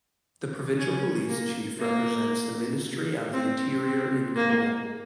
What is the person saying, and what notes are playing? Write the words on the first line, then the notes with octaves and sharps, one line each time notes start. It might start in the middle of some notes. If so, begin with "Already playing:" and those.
The provincial police chief represents the Ministry of the Interior in Kabul.
C#4
A#3
A#3
C4
C4
A#3